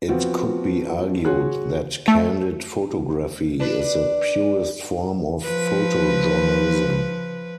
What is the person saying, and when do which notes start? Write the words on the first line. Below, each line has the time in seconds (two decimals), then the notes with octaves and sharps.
It could be argued that candid photography is the purest form of photojournalism.
0.08 F3 B3 C4 F4 F#4
1.25 F#4 G#4 C#5 C6 F#6
2.08 A3
3.60 D4 B4
5.44 F3 B4